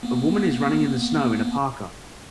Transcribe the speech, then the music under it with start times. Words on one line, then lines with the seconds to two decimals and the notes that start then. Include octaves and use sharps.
A woman is running in the snow in a parka.
0.03 A#3 B3